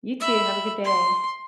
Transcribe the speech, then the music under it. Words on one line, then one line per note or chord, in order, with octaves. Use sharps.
You too, have a good day.
E5 B5
C6